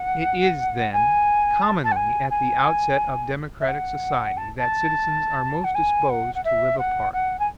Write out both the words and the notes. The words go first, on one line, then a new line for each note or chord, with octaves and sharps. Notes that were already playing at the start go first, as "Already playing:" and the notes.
It is, then, commonly at the outset of democratic society that citizens are most disposed to live apart.
Already playing: F#5
G#5
A5
A5
F#5
G#5
G#5
E5
F#5
A5
A5
F#5
G#5
F#5
F#5
E5
F#5
F#5
G#5